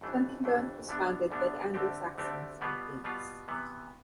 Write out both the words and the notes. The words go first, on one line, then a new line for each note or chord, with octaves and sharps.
Huntingdon was founded by the Anglo-Saxons and Danes.
G1 F2 E3 A3 D4
G1 F2 E3 A3 D4
D2 D3 G3 B3 D4
D2 D3 G3 B3 D4
D2 D3 A3 C4 G4
D2 D3 A3 C4 G4
B2 G3 B3 F4
B2 G3 B3 F4
C3 E3 B3